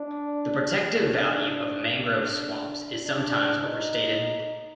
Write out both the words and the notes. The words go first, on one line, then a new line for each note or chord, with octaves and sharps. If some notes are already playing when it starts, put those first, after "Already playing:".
The protective value of mangrove swamps is sometimes overstated.
Already playing: D4
D4
D4
D4
D#4